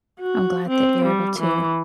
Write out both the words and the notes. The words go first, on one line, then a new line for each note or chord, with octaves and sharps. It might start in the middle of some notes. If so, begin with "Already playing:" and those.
I'm glad that you're able to
F#4
C4
G3
E3